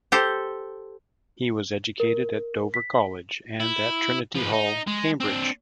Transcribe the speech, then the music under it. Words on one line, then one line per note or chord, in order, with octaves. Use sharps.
He was educated at Dover College and at Trinity Hall, Cambridge.
G4 A4 C5
A#4
B6
E4
F3 B4
D#4
G#3
C4 D4